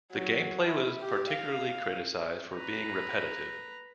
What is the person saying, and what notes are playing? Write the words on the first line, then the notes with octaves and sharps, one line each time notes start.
The gameplay was particularly criticized for being repetitive.
F#3
E4
G4
F5
B4 A#5